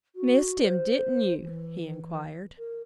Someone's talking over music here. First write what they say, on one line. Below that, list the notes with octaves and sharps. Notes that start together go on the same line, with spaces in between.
"Missed him--didn't you?" he inquired.
F#4
C5
E3
A#4